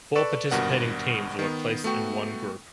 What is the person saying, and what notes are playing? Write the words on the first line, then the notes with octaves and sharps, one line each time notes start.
Four participating teams were placed in one group.
A4 B4 D5 C#6 E7
G#1 G2 B2 A#4 F#5
D#3 B3
A3 B3 F#4 G5 C#6